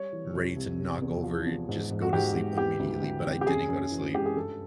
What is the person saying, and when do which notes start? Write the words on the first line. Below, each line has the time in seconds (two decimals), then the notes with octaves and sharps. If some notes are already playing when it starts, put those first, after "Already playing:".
ready to knock over, just go to sleep immediately, but I didn't go to sleep.
Already playing: G3 C#5
0.13 E3
0.35 C2
0.56 C2
0.79 C3
1.02 E2
1.24 F3
1.46 E2
1.69 G#2
1.91 G#2
2.02 F#4
2.13 G#2 G4
2.35 G#2
2.58 E3 G4
2.79 D2
3.02 D2
3.25 C3
3.41 G4
3.47 F#2 G#4
3.69 F#2
3.91 E3
4.14 G#3 G4
4.26 G#4
4.36 G2 A4